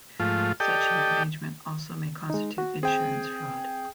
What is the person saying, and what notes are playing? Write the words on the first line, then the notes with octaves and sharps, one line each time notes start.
Such an arrangement also may constitute insurance fraud.
G#2 F3 A3 F4
G4 A4 D5 D#5 G5
G#3 D#4
F#4
C4 G#4 G5